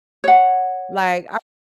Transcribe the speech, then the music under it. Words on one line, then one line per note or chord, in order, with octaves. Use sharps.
Like, I
C#5 F#5